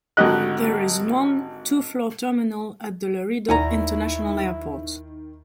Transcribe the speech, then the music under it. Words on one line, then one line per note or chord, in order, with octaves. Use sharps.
There is one, two-floor terminal at the Laredo International Airport.
G#1 D3 F#4 G4 D#5 F#6
D#2 D#3 E4 D5 F#5 G#5 A#5